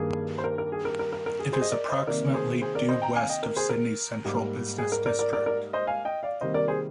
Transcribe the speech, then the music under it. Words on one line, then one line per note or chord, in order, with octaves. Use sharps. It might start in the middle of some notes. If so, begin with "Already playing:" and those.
It is approximately due west of Sydney's central business district.
Already playing: G2 D#3 A#3 G#4
C5
A#4
A#4
G#4
A#4
A#4
A#4
A#4
G#4
G#4 C5
D#5
A#4 D5
C5 D#5
C3 D#3 A#3 A#4 D5
G#4 C5
G#4 C5
A#4 D5
C5 D#5
G5 A#5
F5 G#5
D#5 G5
A#4
G#4 C5
A#4
G#2 G3 A#3
G#4
A#4
A#4 D5
A#4 D5
A#4 D5
A#4 D5
C5 D#5
F5 G#5
D#5 G5
D5 F5
C3 D#3 G3 A#3 C5 D#5
A#4 D5
G#4 C5